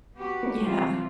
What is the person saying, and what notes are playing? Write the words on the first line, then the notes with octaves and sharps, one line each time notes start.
N Yeah.
B3 F#4 G4
C3 E3 G3 F4